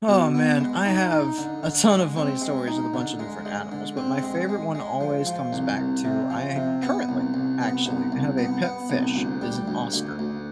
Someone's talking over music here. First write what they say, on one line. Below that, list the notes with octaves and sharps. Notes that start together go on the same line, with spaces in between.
Oh, man. I have a ton of funny stories with a bunch of different animals, but my favorite one always comes back to I currently, actually, have a pet fish, is an oscar.
B2
B3
G#3
D#4
D#4
D3
D3
G#3
C4
G#3
D#4
D3
G#3
G#3
D3
C4
G#3
G#3
G#3
F3
F3
C2
C2
C3
F3
C3
B3
C2
C2
B3
C2
C2
B3
B3
C2
D2
G3
D2
D2
D2